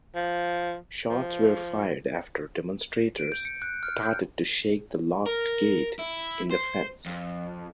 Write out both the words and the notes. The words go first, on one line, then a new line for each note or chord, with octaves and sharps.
Shots were fired after demonstrators started to shake the locked gate in the fence.
F3
F3
D7
G6
C#7
F#6
F6
G6
A#4
E4
C5
F2